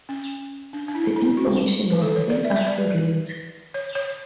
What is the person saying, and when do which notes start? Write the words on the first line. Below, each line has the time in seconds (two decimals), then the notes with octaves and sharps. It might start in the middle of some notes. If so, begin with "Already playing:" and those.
The information was inaccurate.
0.09 C#4
0.73 D4
0.88 D4
0.95 E4
1.16 E4
1.37 F#4
1.90 B4
2.02 A4
2.16 C#5
2.30 D5
2.44 E5
2.56 E5
2.67 D5
2.77 B4
3.74 C#5
3.95 C#5